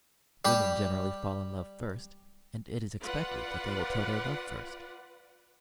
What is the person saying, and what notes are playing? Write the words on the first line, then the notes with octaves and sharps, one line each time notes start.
Women generally fall in love first, and it is expected that they will tell their love first.
G3 G4
F4 B4 D5 F#5